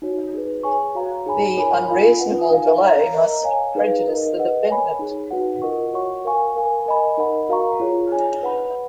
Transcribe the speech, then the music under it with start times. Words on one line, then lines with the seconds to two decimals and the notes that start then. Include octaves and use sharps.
The unreasonable delay must prejudice the defendant.
0.02 D#4 F#4 C#5
0.33 D#4 G#4 B4
0.63 G#4 C#5 G#5 C#6
0.95 F#4 C#5 F5 A#5
1.26 D#4 G#4 C#5 G#5 B5
1.57 F4 A#4 C#5 G#5 B5
1.88 F4 A#4 F5 G#5 B5
2.19 F4 B4 F#5
2.51 D#4 A#4 F5 G#5
2.81 C#5 F5 A#5
3.12 A#4 D#5 A#5
3.44 C#5 F5 G#5
3.75 D#4 G#4 B4 F5
4.07 D#4 A#4 D#5
4.37 G#4 B4 D#5 F#5
4.69 A#4 C#5 G#5 B5
4.99 D#4 G#4 C#5
5.31 D#4 F#4 B4 F#5
5.62 F4 A#4 D#5 F#5 C#6
5.94 F#4 C#5 F#5 C#6
6.25 A#4 F5 G#5 C#6
6.56 A#4 F5 G#5
6.86 A#4 D#5 G#5 B5
7.17 D#4 A#4 D#5 F#5 B5
7.49 F#4 A#4 F5 A#5 C#6
7.80 F4 G#4 C#5
8.11 G#4 C#5 G#5
8.42 B4 F#5 B5